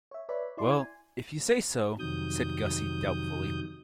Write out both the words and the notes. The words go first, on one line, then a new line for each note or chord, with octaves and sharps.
"Well, if you say so," said Gussie doubtfully.
C#5 E5
B4 C#5 D5 E5 B5
E4 D5 C6
G#5
F2 C3 D#3 F#3 D#6 G6